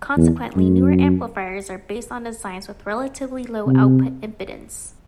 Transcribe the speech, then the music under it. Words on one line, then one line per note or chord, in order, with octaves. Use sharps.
Consequently, newer amplifiers are based on designs with relatively low output impedance.
E2
F#2
C3